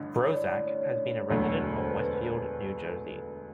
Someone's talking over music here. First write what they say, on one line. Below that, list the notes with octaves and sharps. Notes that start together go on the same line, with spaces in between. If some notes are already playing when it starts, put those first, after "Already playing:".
Brozak has been a resident of Westfield, New Jersey.
Already playing: A1 G2 D3 D#5
C#5
D5
D5
C#5
C#5
E1 D2 D3 F#3 A3
C5
B4
B4
B4